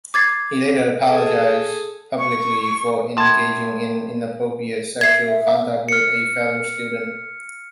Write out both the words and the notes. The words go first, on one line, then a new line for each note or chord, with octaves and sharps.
He later apologized publicly for engaging in inappropriate sexual conduct with a fellow student.
D6 G#6 A6 C7
G#4 A4
C#6
A2 A5 C6 G#6
E5 G#6 C7
F6 C#7